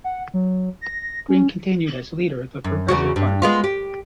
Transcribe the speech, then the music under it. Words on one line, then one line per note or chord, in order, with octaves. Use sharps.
Green continued as leader of the Progressive Party.
F#5
F#3
A#6
C#4
F#2
E2 C#3 F#4
G2
G#3 B3 F4
G4